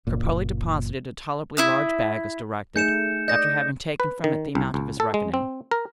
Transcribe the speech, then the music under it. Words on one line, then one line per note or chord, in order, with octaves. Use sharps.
Cropole deposited a tolerably large bag as directed, after having taken from it the amount of his reckoning.
F#1 A#2
E4 E5 D#6
A3 D#4 G#4 G6 C#7 E7
D5 D#5 G6 A#6
B4
D#3
C2
C#2
A4
G#3
C4
A#4